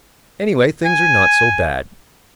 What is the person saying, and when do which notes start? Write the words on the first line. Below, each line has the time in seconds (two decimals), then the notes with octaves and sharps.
Anyway, things are not so bad.
0.85 G#5